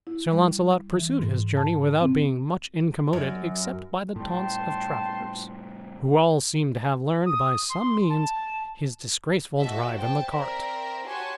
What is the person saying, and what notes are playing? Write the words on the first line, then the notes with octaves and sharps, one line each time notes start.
Sir Launcelot pursued his journey, without being much incommoded except by the taunts of travellers, who all seemed to have learned, by some means, his disgraceful drive in the cart.
E4
G3
E3
G#2
A5
C4
F#2
A2 G3 G5 A5 C6
D#6
C6
A5
F#4 A4 D#5 E5
C5 G5 A5
C4 A#4 D5 E5
F#4 G4 C#5 G#5 A5 C6